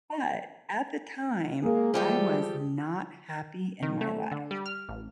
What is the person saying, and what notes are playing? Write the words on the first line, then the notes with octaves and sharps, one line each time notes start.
But, at the time, I was not happy in my life,
G#3 A#3 G#4
E3 F3 G3 G4 A4
D#3
A3
D3
G3
F6
A1